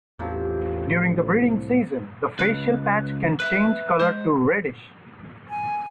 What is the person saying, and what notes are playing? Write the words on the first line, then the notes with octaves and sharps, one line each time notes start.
During the breeding season the facial patch can change color to reddish.
A1 E2 C3 F3 F#3
A2
C2
C#2 B4
B4 E5
G#3 C5
G#5